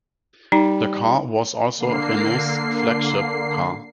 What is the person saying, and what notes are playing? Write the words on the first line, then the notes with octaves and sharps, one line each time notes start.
The car was also Renault's flagship car.
G3 D#4
D3 A#3 C7